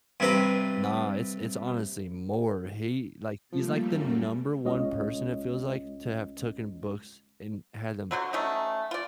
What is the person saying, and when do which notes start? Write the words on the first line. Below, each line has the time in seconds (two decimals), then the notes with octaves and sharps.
Nah, it's it's honestly more he like, he's, like, the number one person it feels like to have taken books and had them,
0.20 G2 C3 B4 A#5
3.52 F3 G3 A3 A#3
3.94 F#2
4.65 C2 G#3 C#4 F4 C#5 D#5
8.11 D3 F#3 F#4 C5
8.33 F#3 A3 C#4 D#4
8.91 F4 D5